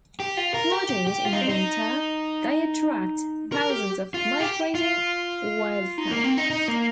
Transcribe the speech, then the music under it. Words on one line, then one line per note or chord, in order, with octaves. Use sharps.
Flooded in winter, they attract thousands of migrating wildfowl.
G4
F4
A#4
G4
G4
G4
F4
D#4
C4
D#4
A#4
G4
F4
G4
F4
D#4
A#3
C4
D#4
D#4
A#3